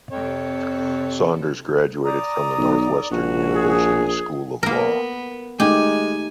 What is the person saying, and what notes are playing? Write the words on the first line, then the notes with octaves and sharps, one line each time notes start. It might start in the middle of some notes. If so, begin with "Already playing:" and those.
Saunders graduated from the Northwestern University School of Law.
F2 C3 A4 C#5
D5 A#5 D#6
B1
A#1 F#4
G#4
A#3 B3 A#4
G#3 A3 D#4 G4 G#5